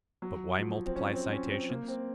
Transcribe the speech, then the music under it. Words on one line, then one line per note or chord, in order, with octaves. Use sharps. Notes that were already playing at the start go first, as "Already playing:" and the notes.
But why multiply citations?
F#3
F3
C4
C#4
C4
C4
C#4
C4
A#3
C4